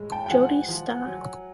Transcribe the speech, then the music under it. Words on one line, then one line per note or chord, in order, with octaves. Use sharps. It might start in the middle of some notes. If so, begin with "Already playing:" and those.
Jodi Sta.
Already playing: A2 G#3
G5 A5
G5
F3 F#5 G#5
F3
F#3